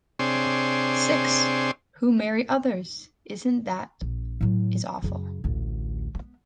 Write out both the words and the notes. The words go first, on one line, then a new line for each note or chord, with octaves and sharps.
Six! Who marry others! Isn’t that is awful!...
C3 C4 D4 G#4 C#5 C6
A#1
A2 F#3
F#2 C#3
A1 D2
B3